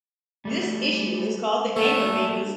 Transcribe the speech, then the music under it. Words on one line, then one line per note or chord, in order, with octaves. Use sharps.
This issue is called the 'anchor babies.
G3 A3
A3 A#3 D4